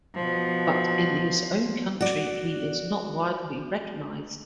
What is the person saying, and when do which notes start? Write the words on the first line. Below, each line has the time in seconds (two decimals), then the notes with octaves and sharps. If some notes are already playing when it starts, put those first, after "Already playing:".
But in his own country he is not widely recognized.
0.14 B2 F3
2.01 F#4 D5